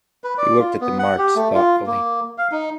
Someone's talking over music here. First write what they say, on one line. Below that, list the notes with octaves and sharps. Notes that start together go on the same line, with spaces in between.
He looked at the marks thoughtfully.
B4
D5
F4
B3
F#5
G4
A3
F4
A#3
F5
D#4